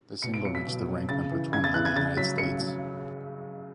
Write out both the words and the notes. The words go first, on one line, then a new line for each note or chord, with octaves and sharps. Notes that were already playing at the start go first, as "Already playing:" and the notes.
The single reached the rank number twenty in the United States.
B2 C#7
D7
F#3 C#7
B6
B2
F#3
C#3 A6
E3
C#3 G#6
A6
E3 F#6
G#6
C#3 A6
F#3 B6
C#3 C#7
F#3